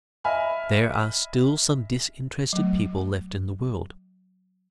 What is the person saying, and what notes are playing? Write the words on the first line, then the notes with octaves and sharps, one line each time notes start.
There are still some disinterested people left in the world.
D#5 E5 G#5 B5 F6
F#3 A3